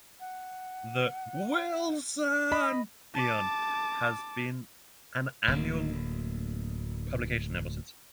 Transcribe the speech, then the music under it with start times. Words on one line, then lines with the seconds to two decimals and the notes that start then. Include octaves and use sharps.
"The Wilsonian" has been an annual publication ever since.
0.20 F#5
2.52 D#5 B5
3.15 A5 D6
5.48 D1 D2 G3 A#3